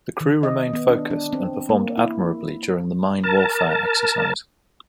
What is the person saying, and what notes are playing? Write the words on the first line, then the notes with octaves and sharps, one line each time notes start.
The crew remained focussed and performed admirably during the Mine Warfare Exercise.
D#3
D#5
B3
D4
D4
C4
A#3
E4
A#4 A5